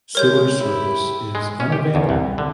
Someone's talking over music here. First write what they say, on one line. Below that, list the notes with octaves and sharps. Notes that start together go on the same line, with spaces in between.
Sewer service is unavailable.
G#3 G4 A#4 C#5 G6
E4 G4
G#3
C#4
G4
E2
C2
D3